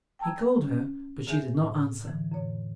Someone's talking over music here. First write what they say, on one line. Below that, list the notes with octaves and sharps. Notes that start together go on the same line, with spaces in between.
He called her, but she did not answer.
G5 A5 A#5 E6 G#6
C#4
F#2 C#3 G#4 E5 G#5 G6
A2
D3 E3
F2 A2 C#5